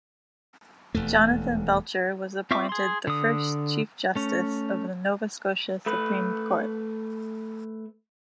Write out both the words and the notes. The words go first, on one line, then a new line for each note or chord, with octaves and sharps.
Jonathan Belcher was appointed the first Chief Justice of the Nova Scotia Supreme Court.
E1 D#2 A3
C4 F4 E5 C#6 D6
G#4 C6
D3 D#6
A3 C#4
A3 B4